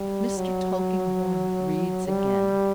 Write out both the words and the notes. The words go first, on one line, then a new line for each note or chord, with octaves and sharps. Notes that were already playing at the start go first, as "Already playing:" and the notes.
Mr. Tulkinghorn reads again.
Already playing: G3
F#3
G3